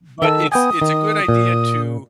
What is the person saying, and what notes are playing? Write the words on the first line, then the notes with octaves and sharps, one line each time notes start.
But it's it's a good idea to
D#3 A4 E6
B3 G5 G#5 D#6
D#3
A#2